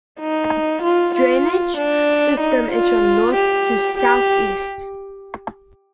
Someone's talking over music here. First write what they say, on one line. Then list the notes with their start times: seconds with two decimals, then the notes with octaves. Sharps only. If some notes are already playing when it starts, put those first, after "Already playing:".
Drainage system is from north to south-east.
0.20 D#4
0.83 F4
1.15 F4
1.78 D4
2.41 D#4
2.72 F4
3.35 G4
3.98 G4